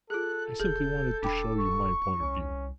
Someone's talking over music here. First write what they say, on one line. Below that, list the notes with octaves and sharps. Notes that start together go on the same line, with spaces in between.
I simply wanted to show you my point of view.
F4 G#4 A4 F#6
E1 G#4 G6
D#1 D4 G5 B5 D6
C#6
C2 C#4